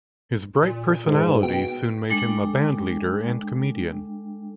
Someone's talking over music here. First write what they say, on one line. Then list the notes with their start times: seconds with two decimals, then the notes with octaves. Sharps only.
His bright personality soon made him a bandleader and comedian.
0.62 A#2
1.05 G#2
1.43 B2 G5
2.09 G#3 D4 A4 G5